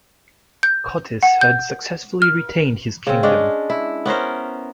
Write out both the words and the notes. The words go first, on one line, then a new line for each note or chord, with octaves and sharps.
Cotys had successfully retained his kingdom.
G6
F#5
G6
F6
C#3 C4
G#3 C#4 D4
E4
B3 C#4 A#4 C5